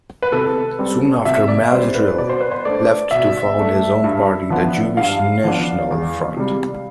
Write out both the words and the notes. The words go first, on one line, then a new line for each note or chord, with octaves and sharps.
Soon after Marzel left to found his own party, the Jewish National Front.
B4
C3 A4
G3 C4
C3 E5
D5
G3 C4 C5
B4
B2 D5
C5
B4
C5
A3 D4 D5
B2 E5
A3 D4
G2
F3 B3 D4
G2 F5
F3 B3 D4
E2
C3 G3